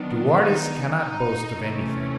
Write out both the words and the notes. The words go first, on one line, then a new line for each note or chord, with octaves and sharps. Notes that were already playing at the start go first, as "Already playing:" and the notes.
"De Wardes cannot boast of anything."
Already playing: D#3 F#3 B3 D4
D#4
D#4
C3 E3 A3 C#4